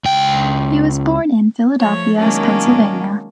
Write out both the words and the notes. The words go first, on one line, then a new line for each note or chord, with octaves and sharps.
He was born in Philadelphia, Pennsylvania.
C#2 G5
F3 A3 C#5
D#3 F#3 G#3 A#3 C#4 D4